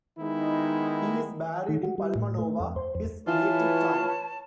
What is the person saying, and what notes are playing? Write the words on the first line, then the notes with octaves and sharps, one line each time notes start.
He is buried in Palmanova, his native town.
D#3 G#3 B3 D#4 E4
D#3
F#4
G3
A2
A3
F2
C5
F2
E3 F4 B4 C#5 A5